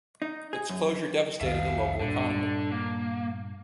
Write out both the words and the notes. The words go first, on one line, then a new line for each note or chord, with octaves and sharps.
Its closure devastated the local economy.
D#4
G#4
F#2
C2 F2 D#3 E5 F5
G2 A#2 D3
A#3